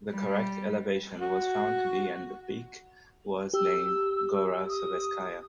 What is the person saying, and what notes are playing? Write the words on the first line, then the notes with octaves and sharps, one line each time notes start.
The correct elevation was found to be and the peak was named "Gora Sovetskaya".
G3
F#4
G4 E6
D#6